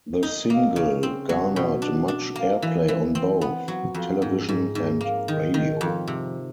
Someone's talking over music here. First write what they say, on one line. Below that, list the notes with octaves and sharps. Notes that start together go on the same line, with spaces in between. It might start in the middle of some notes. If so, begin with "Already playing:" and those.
The single garnered much airplay on both television and radio.
D#4
A#3
C#3
C4
F#3
B2
D4
D4
A#3
E3
E3
C4
B3
F#3
F2
G#2
G#2
G#2
A#3
D#3
D#3
F2
C3